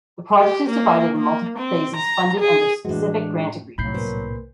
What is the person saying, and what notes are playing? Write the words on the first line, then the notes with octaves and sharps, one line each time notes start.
The project is divided in multiple phases funded under Specific Grant Agreements.
G4
A#3
A#3
C4
A#5
G#4
A2 E3 G#3 D4 F#4
C2 A2 F#3 D#4 B5 G6 C7
A#2 B4 C5